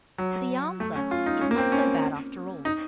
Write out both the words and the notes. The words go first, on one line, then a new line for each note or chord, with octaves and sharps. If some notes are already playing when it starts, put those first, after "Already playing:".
But the answer is not so bad after all.
F#3
A3
C#4
F4
D#4
C#4
A#3
C4
C#4
D#4